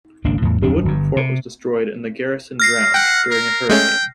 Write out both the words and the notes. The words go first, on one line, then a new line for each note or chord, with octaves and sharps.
The wooden fort was destroyed and the garrison drowned, during a hurricane.
G#1 C#2 A#3 D4
E2 A2
D1 F2 F#3 D4
G1 G2
C3
F6 A#6 C7
F#5 G5
A#4
G#3 A3 C#4 G5